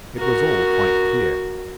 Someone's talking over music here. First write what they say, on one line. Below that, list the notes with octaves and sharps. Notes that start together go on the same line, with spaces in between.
It was all quite clear.
F#4 A#4